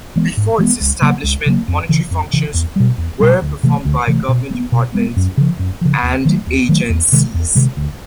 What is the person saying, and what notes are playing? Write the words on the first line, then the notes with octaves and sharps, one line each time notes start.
Before its establishment, monetary functions were performed by government departments and agencies.
E3 G#3 B3
G#2
E3 G#3 B3
C#2
C#3 F#3 A#3
C#2
C#3 F#3 A#3
F2
C#3 E3
F2
C#3 E3
E2
B2 G3
E2
B2 G3
D2
C3 E3 A3
D2
C3 E3 A3
B2
G#3
B3
B2
G#3 B3
F#2
C#3 F3
F#2
C#3 F3
D#2
D#3 F#3 A3
D#2
D#3 F#3 A3
E2
C3 D#3 G#3
E2
C3 D#3 G#3
D2